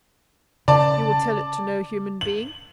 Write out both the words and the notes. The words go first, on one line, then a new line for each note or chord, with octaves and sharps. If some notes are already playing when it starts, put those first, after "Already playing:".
"You will tell it to no human being?"
C#3 D5 A5
F#7